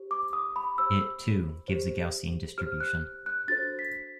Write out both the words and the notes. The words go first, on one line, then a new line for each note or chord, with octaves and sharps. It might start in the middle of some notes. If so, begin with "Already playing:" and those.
It, too, gives a Gaussian distribution.
Already playing: G4 C5
D6
D#6
B5
G4 C5 E6
G4 C5
G4 C5 F6
F#6
F#6
D4 F#4 A4 C5 A6
B6